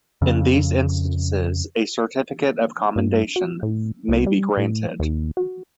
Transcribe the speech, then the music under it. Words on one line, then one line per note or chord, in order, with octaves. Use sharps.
In these instances, a Certificate of Commendation may be granted.
F2 C#3
G2
F#4
A2
C2
G3
A2
D#2
F#4